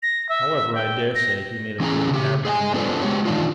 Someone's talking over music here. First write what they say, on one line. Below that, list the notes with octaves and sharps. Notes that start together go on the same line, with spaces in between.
However, I dare say he made a good average member.
A#6
E5
G5
A#6
E3 C#4 E4 G#4 A#5
C#3 G4
G#4 D#5 G5 G#5
B3 D4 F4 A4 B4 C5
G#3 G4 C#5
D#3 E3 D4 D#4 F4